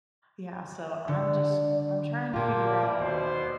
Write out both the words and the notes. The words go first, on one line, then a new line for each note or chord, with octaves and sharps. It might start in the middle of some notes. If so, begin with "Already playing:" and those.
Yeah, so, I'm just I'm trying to figure out
E5
D3 D5
A#2 A#3 F4 G4 A#4 A5
D5
D#2 B2 B3 C5